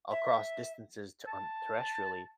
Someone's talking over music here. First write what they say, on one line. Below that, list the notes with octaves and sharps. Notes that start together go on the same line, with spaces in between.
across distances to an thresh really.
E5
A5